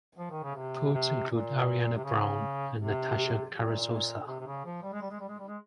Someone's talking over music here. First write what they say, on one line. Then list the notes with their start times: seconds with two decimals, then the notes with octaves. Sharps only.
Poets include Ariana Brown and Natasha Carrizosa.
0.18 F3
0.31 D#3
0.43 C#3
0.55 C3
0.93 C3
1.30 A#2
1.96 C3
2.04 C#3
2.78 C3
3.53 A#2
4.27 C3
4.40 C3
4.47 C#3
4.65 F3
4.83 G3
4.93 G#3
5.02 G3
5.11 G#3
5.20 G3
5.28 G#3
5.39 G3
5.48 G#3